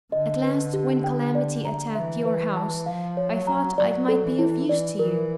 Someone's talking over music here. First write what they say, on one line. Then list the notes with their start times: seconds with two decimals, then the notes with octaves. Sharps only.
At last, when calamity attacked your house, I thought I might be of use to you.
0.12 D3 D#5
0.43 B4
0.73 G4
1.04 G5
1.35 D5
1.65 A#5
1.95 E3 E5
2.25 B4
2.57 A5
2.86 F3 F5
3.17 C#5
3.33 F#3
3.47 A#5
3.78 F#3 D5
4.08 A4
4.24 E3
4.39 E4
4.69 E3 D5
4.99 E3 A#4